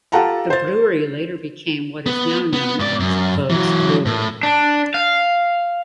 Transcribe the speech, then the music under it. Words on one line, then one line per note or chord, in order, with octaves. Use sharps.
The brewery later became what is now known as Boag's Brewery.
F4 G4 A4 F#5 A5 A#5
C5 A6
B3
B3
G#2 D5
F#2
E3 F#3
A2
D4
F5